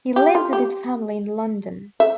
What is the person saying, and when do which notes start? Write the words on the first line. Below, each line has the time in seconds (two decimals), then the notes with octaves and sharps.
He lives with his family in London.
0.16 G4
0.35 F4
0.53 G4
2.00 E5